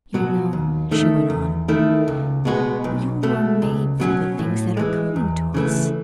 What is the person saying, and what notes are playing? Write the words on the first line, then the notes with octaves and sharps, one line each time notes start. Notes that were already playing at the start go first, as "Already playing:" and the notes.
You know," she went on, "you were made for the things that are coming to us.
B2 F#3
D#2
D#3 A3
E2
D#3 A3 E4
C#2
B2 G#3 B3 F#4
B1
B2 A3
C#2
B2 F#3 C#4
A2
E3 G#3
E2
C#3 E3 A3